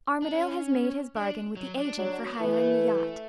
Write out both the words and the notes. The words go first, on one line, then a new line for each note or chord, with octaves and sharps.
Armadale has made his bargain with the agent for hiring the yacht.
D4
C#4
D4
F#3
D4
F#3 D4
B3
E3 B3
A3